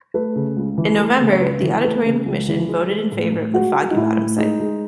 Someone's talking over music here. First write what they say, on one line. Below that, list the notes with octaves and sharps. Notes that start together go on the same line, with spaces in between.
In November, the Auditorium Commission voted in favor of the Foggy Bottom site.
A3 B4
C#3
C#2
E3
A3
C#3
C#5
C#2 B4
E3
A3 B4
C#3
C#2
E3
G#3
G#3
A2
A2
G#3 F#4
G#3
D#4
A2 E4
A2
G#3 D#4
G#3